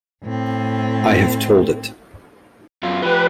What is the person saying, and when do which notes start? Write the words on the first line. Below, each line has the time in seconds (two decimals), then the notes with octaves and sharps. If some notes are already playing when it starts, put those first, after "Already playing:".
I have told it.
0.24 A2 C4
2.83 F#2 F4
3.02 F3 G4 B4